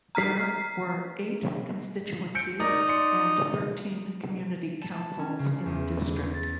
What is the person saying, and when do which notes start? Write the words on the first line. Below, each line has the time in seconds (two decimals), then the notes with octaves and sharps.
There were eight constituencies and thirteen community councils in the district.
0.15 A#5 F6 B6 C7
2.35 G6 C#7 D7
2.60 D#4 A#4 D5 A#5
2.87 D5 C6 C#7
4.82 A5
5.19 C#4
5.39 C#3
5.66 E2
6.34 A6